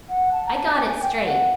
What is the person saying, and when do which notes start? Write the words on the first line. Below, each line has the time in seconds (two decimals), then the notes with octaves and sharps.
"I got it straight."
0.09 F#5
0.32 A5
0.46 A#5
0.55 A5
0.78 G#5
1.02 G5
1.14 F5
1.25 F#5